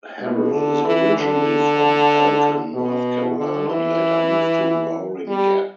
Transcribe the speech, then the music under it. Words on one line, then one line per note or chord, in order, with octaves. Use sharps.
Harrell is originally from Elkin, North Carolina and later moved to Roaring Gap.
B2
D3
E3
D3
B2
D3
E3
G3